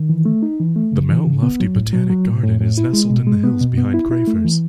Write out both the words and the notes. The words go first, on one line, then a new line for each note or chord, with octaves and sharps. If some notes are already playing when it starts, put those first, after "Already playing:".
The Mount Lofty Botanic Garden is nestled in the hills behind Crafers.
Already playing: D#3
E3
A3
D#4
E3
A3
C#3
E3
C#3
B3
F#3
A2
F#3
F#3
A2
A2
A2
E4
G#3
B2
G#3
B3
B2
B3
E4
E4
A3
E3